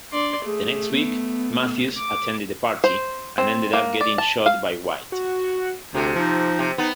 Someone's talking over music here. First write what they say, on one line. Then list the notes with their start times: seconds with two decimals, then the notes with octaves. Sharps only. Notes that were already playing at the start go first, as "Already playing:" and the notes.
The next week, Mathews attended the party, and ended up getting shot by White.
0.12 D4 D5 C6
0.46 A3 G#4
0.91 B3
1.97 D6
2.84 C5
3.38 C4
3.73 A#3
4.01 D5
4.18 A5
4.46 F5
5.12 F#4
5.95 D2 C3
6.15 F3 D#4
6.59 C3
6.78 B3 D#4